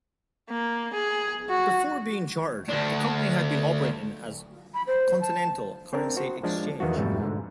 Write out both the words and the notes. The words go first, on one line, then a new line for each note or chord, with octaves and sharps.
Before being chartered, the company had been operating as Continental Currency Exchange.
A#3
G#4
F#4
D2 D4
B5
C5
A5
C4 D4 A#4
F#4 C5
F3 G#3 D4
E2 D#3 B3 F4 F#4
F2 G#2 B2 G3 A3
G#2 D3